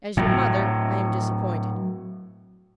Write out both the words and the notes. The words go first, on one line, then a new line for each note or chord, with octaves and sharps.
As your mother, I am disappointed.
A2 F#3